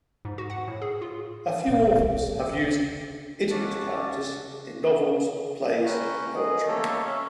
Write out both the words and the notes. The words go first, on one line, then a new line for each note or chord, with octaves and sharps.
A few authors have used "idiot" characters in novels, plays and poetry.
G#2
F#4
F#5
A2
G#4
F4
A#2
D1 A#2
B1
E3
D#2
D#2 C#4 F#4 A5 D6
C#4 B4 G5 A#5
G#4 D#5
A3 A#3 A4 C#5
C#4 E5